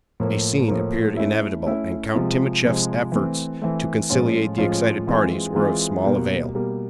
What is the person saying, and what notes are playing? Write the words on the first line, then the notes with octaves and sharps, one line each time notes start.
A scene appeared inevitable, and Count Timascheff's efforts to conciliate the excited parties were of small avail.
A2 F3 A#3
A2 F3 A#3
A3 C#4 E4
A3 C#4 E4
C3 F3 G#3
C3 F3 G#3
E3 A3 C4
E3 A3 C4
A2 F3 G#3 C#4 F4
A2 F3 G#3 C#4 F4
E3 G#3 C4 F4 G#4
E3 G#3 C4 F4 G#4
B2 G3 A#3
B2 G3 A#3